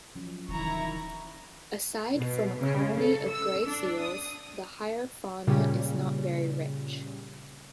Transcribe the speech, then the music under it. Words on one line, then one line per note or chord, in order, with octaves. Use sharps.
Aside from a colony of grey seals, the higher fauna is not very rich.
F3 F#3 C#4
D1 C3 D#3 E3 E4 A#5 C#6
B2
C#3
A4
E6
D4
D#6
A#2 C#3 G3